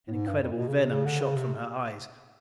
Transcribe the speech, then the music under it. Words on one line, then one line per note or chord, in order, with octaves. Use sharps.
An incredible venom shot from her eyes.
A2
G#2
G2
F2
A#2
B2
C#3
C3
C#3
D3
C#3
C3